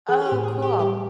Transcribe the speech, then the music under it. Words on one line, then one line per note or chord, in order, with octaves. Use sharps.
Oh, cool.
E3 G#4
G#4
G4
A2
G#4
A2
G4
G3 G4